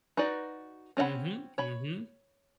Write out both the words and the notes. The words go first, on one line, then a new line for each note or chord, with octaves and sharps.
Mhm, mhm.
D#4 F#4 B4 D5
C4 C#4 D#5 F#5 B5
C#5 B5